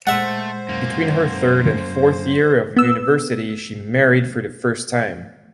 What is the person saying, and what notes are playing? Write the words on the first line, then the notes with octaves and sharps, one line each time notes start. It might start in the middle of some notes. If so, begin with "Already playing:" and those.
Between her third and fourth year of university she married for the first time.
A#2 G#3 A3 C5 E5 F#5
F#2 A#3
B3 E6